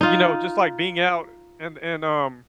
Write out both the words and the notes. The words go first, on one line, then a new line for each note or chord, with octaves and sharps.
you know, just, like, being out, and and, um
D#4 F4